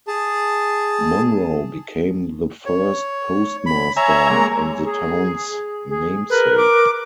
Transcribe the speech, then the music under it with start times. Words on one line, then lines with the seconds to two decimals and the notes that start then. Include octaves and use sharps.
Monroe became the first postmaster and the town's namesake.
0.07 G#4 A5
2.66 C#5
3.66 B5
3.97 C#5 E5 G#5 A#5
4.30 G#3 A#3
4.84 G#4
5.89 G#4
6.30 A#4 B4
6.57 D6